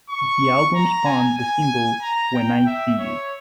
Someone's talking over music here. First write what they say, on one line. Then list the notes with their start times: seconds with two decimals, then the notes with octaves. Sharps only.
The album spawned the single "When I See You".
0.10 C#6
0.74 A#5
1.06 G#5
1.38 G#5
2.02 A#5
2.35 G5
2.66 E5
2.99 C#5